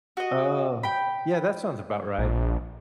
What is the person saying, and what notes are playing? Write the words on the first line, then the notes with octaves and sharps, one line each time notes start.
Oh, yeah, that sounds about right.
F#4 D#5
G5 B5
A#1